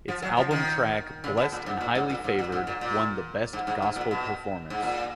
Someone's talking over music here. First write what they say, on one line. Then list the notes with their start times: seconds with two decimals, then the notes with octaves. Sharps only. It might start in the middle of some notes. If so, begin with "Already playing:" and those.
Its album track "Blessed and Highly Favored" won the Best Gospel Performance.
0.08 F3
0.22 F#3
0.37 F3
0.51 D#3
1.24 C#3
1.37 B2
1.52 A#2
1.66 G#2
1.81 A#2
1.95 G#2
2.10 A#2
2.24 G#2
2.39 A#2
2.52 G#2
2.67 A#2
2.81 A#2
3.53 G#2
3.67 G#2
3.82 G#2
3.96 A#2
4.11 B2
4.70 G#2
4.83 A#2